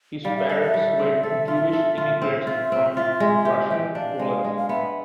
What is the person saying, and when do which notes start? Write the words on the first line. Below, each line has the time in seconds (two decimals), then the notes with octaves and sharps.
His parents were Jewish immigrants from Russian Poland.
0.24 G3 F5
0.37 E5
0.49 A4 D#5
0.62 E5
0.74 G3
0.99 C4
1.23 A4
1.48 F4
1.73 A4
1.98 F4
2.22 C4
2.47 F4 E5
2.72 C4
2.97 F4
3.20 G#3
3.45 G4
3.71 G4
3.95 D4 F5
4.19 G#3
4.44 G#3
4.57 F5
4.69 B3 E5